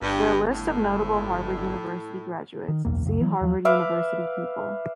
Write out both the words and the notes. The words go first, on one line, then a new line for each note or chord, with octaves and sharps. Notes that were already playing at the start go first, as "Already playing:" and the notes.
For a list of notable Harvard University graduates, see Harvard University people.
G1 G2
A2
D#3
F#1 B1 E2 A#3
F#1 C#2 F#2
E3 F#3 G3
D#2 F3 F#3
B4 E5 F5 D6